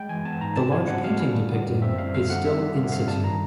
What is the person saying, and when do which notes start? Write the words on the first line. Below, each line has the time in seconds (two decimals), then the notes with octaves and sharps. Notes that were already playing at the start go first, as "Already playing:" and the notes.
The large painting depicting is still in situ.
Already playing: G#3 G5
0.09 E3 G#5
0.25 B3 A5
0.41 G#2 A#5
0.56 C4 A5
0.72 G3 G#5
0.87 B2 F#5
1.03 B2 F5
1.19 G3
1.36 D3
1.52 B3
1.66 F#2
1.82 C4 E5
1.98 G3 F5
2.13 D3 F5
2.30 D3 F#5
2.45 G3 E5
2.61 D3
2.76 C4 F5
2.85 F#5
2.92 G2 F5
3.08 G3 A5
3.24 D#3 A#5